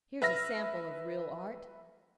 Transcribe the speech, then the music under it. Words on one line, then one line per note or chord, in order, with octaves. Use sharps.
'Here's a sample of real Art.
B4 E5 F6 A#6